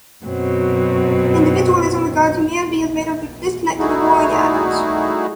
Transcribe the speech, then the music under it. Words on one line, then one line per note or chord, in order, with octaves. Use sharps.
Individualism regards humanity as made up of disconnected or warring atoms.
F#2 B2 F#3 C4
G3 A3 D#4 E4 F#4 G#4